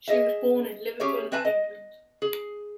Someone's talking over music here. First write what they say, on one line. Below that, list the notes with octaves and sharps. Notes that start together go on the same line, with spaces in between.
She was born in Liverpool, England.
G#4 D#5 E5
C#4 G4 G#4 C#5 E5
C4 B4 E5 G#5 A5
D#5
G#4